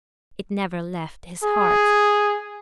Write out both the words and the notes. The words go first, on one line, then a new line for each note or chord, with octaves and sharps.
It never left his heart.
G#4